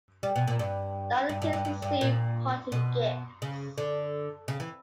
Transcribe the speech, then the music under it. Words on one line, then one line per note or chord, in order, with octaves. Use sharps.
The other teams received parting gifts.
G3
B2
A#2
G2
G2
G2
G2
G2
G2
A#2
B2
C#3
D3
C#3
E3